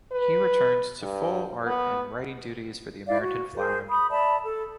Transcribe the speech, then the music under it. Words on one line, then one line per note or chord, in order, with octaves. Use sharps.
He returned to full art and writing duties for the American Flagg!
B4
G2
B3
E4 D5 E5 F5
F#4
G#4 A#4 C5
B5 D#6
D5 E5 A5 B5
A4